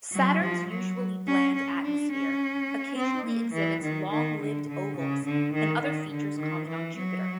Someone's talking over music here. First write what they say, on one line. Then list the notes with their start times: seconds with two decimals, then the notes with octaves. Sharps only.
Saturn's usually bland atmosphere occasionally exhibits long-lived ovals and other features common on Jupiter.
0.12 F#3
0.41 F3
0.69 F#3
1.27 C#4
1.55 C#4
1.83 D4
2.12 C#4
2.97 C4
3.26 A#3
3.54 E3
3.82 D#3
4.11 D#3
4.40 D3
4.69 D3
4.97 C#3
5.25 D3
5.54 D#3
5.82 D#3
6.11 D3
6.39 D#3
6.68 E3
6.97 F#3